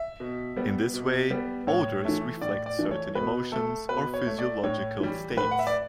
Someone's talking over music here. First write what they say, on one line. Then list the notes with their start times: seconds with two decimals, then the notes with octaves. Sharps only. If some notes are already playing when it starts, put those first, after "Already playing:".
In this way odors reflect certain emotions or physiological states.
Already playing: E5
0.20 B2
0.56 G3 B3
0.94 B2
1.30 G3 B3
1.67 A2 C#5
2.05 E3 A3
2.42 A2 D5
2.66 D5
2.79 E3 A3
2.91 C#5
3.15 B2 B4
3.52 A3 A4
3.89 B2 B4
4.14 C#5
4.27 A3
4.39 D5
4.64 A2 C#5
5.00 E3 G3
5.37 A2 B4
5.51 F#5
5.59 E5
5.67 D5